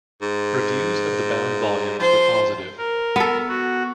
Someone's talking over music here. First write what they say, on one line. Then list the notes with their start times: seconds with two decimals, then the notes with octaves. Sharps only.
Reviews of the bound volumes were positive.
0.22 G#2
1.99 F3 C5
2.78 A#4
3.16 B3 A4
3.48 F#4